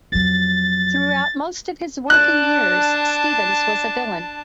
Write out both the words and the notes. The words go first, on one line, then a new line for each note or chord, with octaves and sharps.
Throughout most of his working years, Stevens was a villain.
F2 F#3 A6
D4 A5 F#6